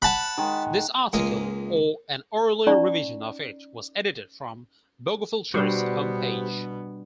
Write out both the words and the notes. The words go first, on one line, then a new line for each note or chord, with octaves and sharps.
This article, or an earlier revision of it, was edited from bogofilter's homepage.
F#5 A5 B5
D#3 G#3
C#2 G#3 A#3 F4 D#5 G#5
C#4 D#4 D5 A#5 C#6
B2 G3 B3 D4 F#4 G4 C5